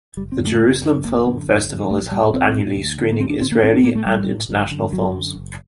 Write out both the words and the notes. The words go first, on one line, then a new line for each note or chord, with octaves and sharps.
The Jerusalem Film Festival is held annually, screening Israeli and international films.
F#1 G3
C4
F#2 D3
A3
F#1
F#2 D3
F#1 A#3
F#2 D3
F#1
F#2 D3
A#1 A3
A#2 G3
A#1 C4
A#2
D2
D3
A#3
D2 C4
D4
D3 C4
A#3
A1 C4
D4
A2 A#3
A3
A1 G3
A2
G1
F#2 D3
G1 F#3
F#2 D3
F#1